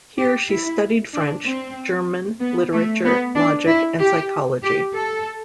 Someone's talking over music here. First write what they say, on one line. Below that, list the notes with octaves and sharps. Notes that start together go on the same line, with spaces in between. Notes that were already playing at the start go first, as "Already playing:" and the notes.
Here she "studied French, German, literature, logic and psychology".
G4
E4
D4
C4
B3
A3
B3
D4
E4
G4
G4
A4